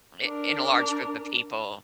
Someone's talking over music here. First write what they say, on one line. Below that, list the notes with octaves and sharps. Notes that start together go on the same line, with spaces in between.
in in a large group of people
D4 A#4